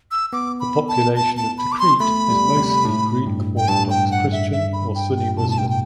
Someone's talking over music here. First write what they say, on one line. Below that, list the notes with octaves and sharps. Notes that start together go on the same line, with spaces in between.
The population of Tikrit is mostly Greek Orthodox Christian or Sunni Muslim.
E6
B3 D6
B5
A5
A5
A5
B5
D6
C6
A3 B5
G3
C3
A2
G2
G5
G2 A5
G5
F#5
E5
E5
B5
G5
G5
B2 A5
A2 A5
G5
G5